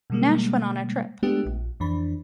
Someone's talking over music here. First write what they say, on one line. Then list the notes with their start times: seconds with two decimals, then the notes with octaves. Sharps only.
Nash went on the trip.
0.10 B2 D3 G3 G#3 A#3
1.23 G#3 A3 B3 D4 F#4 G4
1.45 A#1
1.80 F2 E3 D4 B5